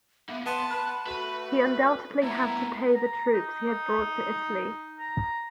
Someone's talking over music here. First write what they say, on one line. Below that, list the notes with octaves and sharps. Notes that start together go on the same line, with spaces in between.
He undoubtedly had to pay the troops he had brought to Italy.
A#3 B3 E5
B3 A5 C6
B4 B5
A3 F#4 B4 B5
A3 B3 E4 A#5
A#5
D#4
A#5